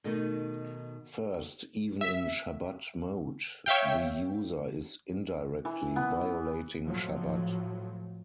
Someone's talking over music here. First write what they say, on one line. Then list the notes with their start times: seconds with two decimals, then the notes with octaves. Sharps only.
First, even in Shabbat mode, the user is indirectly violating Shabbat.
0.04 B2 D#3 A3 D#4
2.01 E5
3.66 C#5 E5 F5 G5
5.65 E3
5.96 B3
6.86 A2 F3 F#3